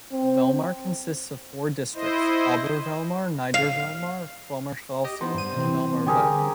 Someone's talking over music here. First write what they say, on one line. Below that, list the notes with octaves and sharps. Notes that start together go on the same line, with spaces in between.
Vellmar consists of four districts: Obervellmar, Niedervellmar, Frommershausen and Vellmar-West.
C4
E4 C5 D#5
F5
G4 D#5
B3 D#4 C5
G2 D#7
C3 E3 C4
D3 G3 C#4 G4 G#4 A#4